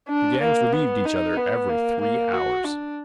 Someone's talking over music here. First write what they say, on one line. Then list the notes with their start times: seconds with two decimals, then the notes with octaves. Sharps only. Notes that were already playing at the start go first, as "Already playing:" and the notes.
The gangs relieved each other every three hours.
0.09 D4
0.41 A#3
0.72 B3
1.05 D#4
1.37 B3
1.69 A#3
2.00 A#3
2.33 F#4
2.64 D4